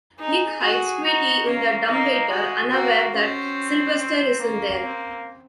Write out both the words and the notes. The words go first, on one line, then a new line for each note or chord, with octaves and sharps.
Nick hides Tweety in the dumbwaiter, unaware that Sylvester is in there.
D#4 G#4
F#4
D#4 F#4
A#3 C#4
A#3 D#4
G#3 F#4
A#3 F#4
C4 C#4
C4
A#3 C#4
C4